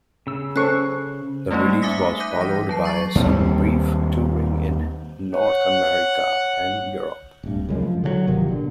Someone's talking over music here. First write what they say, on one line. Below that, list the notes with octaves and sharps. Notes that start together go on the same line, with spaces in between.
The release was followed by some brief touring in North America and Europe.
C#3 E6
C#4 A4 C5 C#6 F#6
G3 A3 A#3 C#4 D#4
E5 G#5 D6 D#6 A#6 B6
D6 F#6 G6 A#6 B6 D#7
E3 A#6
F#3 A5 C7
A#5 C#6 A6 C7
D#2 G3 B3 C4
C#5 F#5
D1 G2
C#2 F#2 G#3
F3
D3 E3 F#3
G1 C3 D#3 F3
A#2 D3